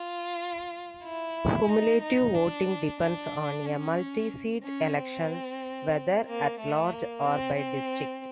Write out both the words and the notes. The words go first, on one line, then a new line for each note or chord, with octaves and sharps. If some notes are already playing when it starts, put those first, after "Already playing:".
Cumulative voting depends on a multi-seat election, whether at-large or by district.
Already playing: F4
E4
D#4
D#4
D4
D4
C#4
C#4
C4
A#3
A3
A#3
C4
C4